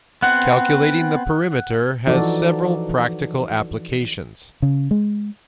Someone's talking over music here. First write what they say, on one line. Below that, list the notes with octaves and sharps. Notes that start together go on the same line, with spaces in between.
Calculating the perimeter has several practical applications.
B3 C4 F#5
E3 F3 D#4 F#4 A4 D5
C#3
G#3